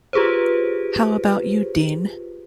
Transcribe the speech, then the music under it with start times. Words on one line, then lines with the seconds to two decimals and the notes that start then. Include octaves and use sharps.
How about you, Dean?
0.13 F4 G4 G#4 B4 C5